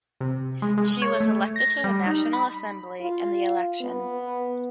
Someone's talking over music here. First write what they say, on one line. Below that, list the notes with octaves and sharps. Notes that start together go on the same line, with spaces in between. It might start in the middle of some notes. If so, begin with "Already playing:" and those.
She was elected to the National Assembly in the election.
C3
G#3
G#3
C#5
A3
A#6
G3
D#4
B5
F4
B3